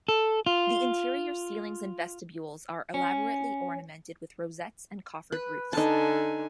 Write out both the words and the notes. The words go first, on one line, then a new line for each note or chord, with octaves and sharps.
The interior ceilings and vestibules are elaborately ornamented with rosettes and coffered roofs.
A4
F4
C#4
B4
D3 D#4 G#5 A5